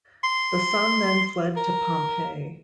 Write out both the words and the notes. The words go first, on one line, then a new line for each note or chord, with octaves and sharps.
The son then fled to Pompey.
C6
A#4